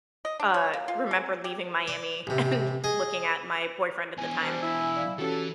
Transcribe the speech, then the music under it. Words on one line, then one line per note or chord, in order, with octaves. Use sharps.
uh, remember leaving Miami and looking at my boyfriend at the time,
D#5
D4
C#5
A#3
F4
G#3
G4
D5
A1 C3
G#4 D#5
B2 E3 G#5
G3 C5 A5
E4
D5 F5
E3 C#4 F#4 G4 A4